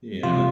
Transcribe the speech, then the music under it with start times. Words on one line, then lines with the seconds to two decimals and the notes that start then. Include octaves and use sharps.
You know?
0.23 C3 F4